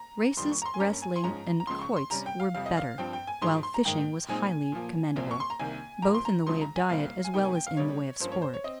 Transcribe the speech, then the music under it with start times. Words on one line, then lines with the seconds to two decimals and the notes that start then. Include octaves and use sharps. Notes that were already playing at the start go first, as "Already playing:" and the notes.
Races, wrestling, and quoits were better; while fishing was highly commendable, both in the way of diet as well as in the way of sport.
Already playing: A#5
0.37 F2 D#3 G3 A#3 C6
0.51 C#6
0.62 A#5
0.66 C6
0.74 G#5
0.80 G2 G3 A#3 C#4 A#5
1.02 G#5
1.16 C6
1.24 G#2 F3 G#3 C#4 A#5
1.60 A#5
1.67 C#2 C#3 F3 C6
1.81 C#6
1.96 C6
2.11 C3 G3 C#4 A#5
2.26 G5
2.40 F5
2.54 F2 C3 G3 F5
2.66 D#5
2.77 F5
2.98 G2 F3 C4 G5
3.13 G5
3.27 G#5
3.41 G#2 F3 G#3 D#4 C6
3.63 C6
3.74 A#5
3.85 G#2 D#3 A#3 D#4 G5
4.28 A#2 G#3 C4 D#4 G#5
4.72 A#2 F3 A#3
5.16 C2 A#2 F3 C4
5.31 C#6
5.40 C6
5.50 A#5
5.59 C2 C3 D#3 A#3 G#5
6.02 G#2 F3 A#3 A#5
6.14 C6
6.25 A#5
6.46 C#2 C#3 F3 G#3 D#4 C6
6.61 A#5
6.76 G#5
6.89 C2 A#2 G3 C4 F5
7.24 G#5
7.34 C3 G3 A#3 D#4 G5
7.45 G#5
7.55 G5
7.67 F5
7.77 C3 G3 A#3 D#4 C#5
8.20 G2 F3 A#3 C#4 C5
8.32 C#5
8.42 C5
8.54 C#5
8.64 C4 D#5